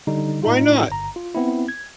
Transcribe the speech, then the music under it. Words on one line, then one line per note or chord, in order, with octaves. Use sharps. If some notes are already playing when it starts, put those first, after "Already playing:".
why not?
D3 G3 D#4
A2 D#4 F4
G1 A#5
F4
B3 C4 E4
G#6